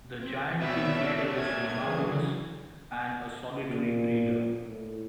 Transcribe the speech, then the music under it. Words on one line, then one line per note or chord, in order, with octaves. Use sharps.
The giant kingfisher is monogamous and a solitary breeder.
C4
B2 A3 B3 C4 E4 C#5 D5 E5
C3 A4
A#2 E5 G#6
C#3 E3 F#3 G#4
A#2
A2